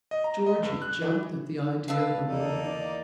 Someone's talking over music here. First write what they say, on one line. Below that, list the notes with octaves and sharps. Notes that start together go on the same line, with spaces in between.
Georgy jumped at the idea of a move.
D#5
A#5
D#5
G2
F#6
E3
A4 B4 D#5 F5 A5 E6
E2 A#3 D#4 A4
D5